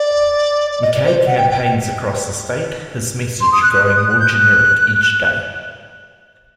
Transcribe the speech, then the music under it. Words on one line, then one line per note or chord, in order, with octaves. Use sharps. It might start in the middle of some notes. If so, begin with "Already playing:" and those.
McKay campaigns across the state, his message growing more generic each day.
Already playing: D5
D5
D#5
D5
C5
F#5
G5
G5
C6
D#6
F#6
F#6
F#6
D#6
F#6
G6
F#6